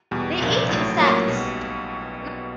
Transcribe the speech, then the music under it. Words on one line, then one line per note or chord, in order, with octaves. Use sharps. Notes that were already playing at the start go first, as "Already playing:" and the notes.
They eat insects.
E2 B2 G3
C2 A#2 F3 A#3 D4
A1 A2 F#3 A3
A2 F#3 A#3 C#4 F4
B1 B2 G3